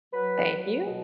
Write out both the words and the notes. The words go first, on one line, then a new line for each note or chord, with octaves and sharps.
Thank you.
F#3 B4
F#3
B2